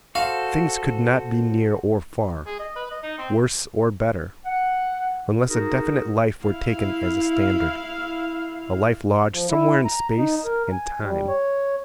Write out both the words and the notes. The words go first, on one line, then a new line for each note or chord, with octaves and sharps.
Things could not be near or far, worse or better, unless a definite life were taken as a standard, a life lodged somewhere in space and time.
F#4 A4 C5 F5
G#4
D#5
B4
D#5
D#4
C4
F#5
D#4 F#4 G#4 A#4
E4 F5
F3
E4
A#5
D#4
A#4
G#5
G3
C#5